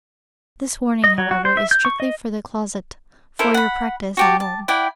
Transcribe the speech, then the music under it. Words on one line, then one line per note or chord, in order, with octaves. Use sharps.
This warning, however, is strictly for the closet, for your practise at home.
D#5
F#3
F#4
C5
E5
G6
C#6
D#5
E4 A4 A#4 C5
F#5 B5
F#4 G4 A5
A5
E4 D5 F#5 G5